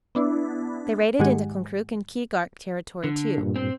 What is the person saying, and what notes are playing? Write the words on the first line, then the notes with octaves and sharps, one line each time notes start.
They raided into Konkrook and Keegark territory, too.
B3 D4 E4
G#2 D#3 G#3 G4 F#5 G#5
D3
G2 A#2
C4